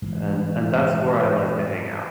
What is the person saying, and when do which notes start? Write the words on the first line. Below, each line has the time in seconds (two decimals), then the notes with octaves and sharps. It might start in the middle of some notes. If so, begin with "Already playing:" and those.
And and that's where I like to hang out,
0.02 G#2 E3 F3